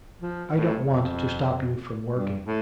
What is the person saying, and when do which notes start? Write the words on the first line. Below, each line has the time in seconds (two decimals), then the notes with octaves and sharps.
I don't want to stop you from working.
0.22 F3
0.54 A2
0.86 F2
2.13 G2
2.45 A2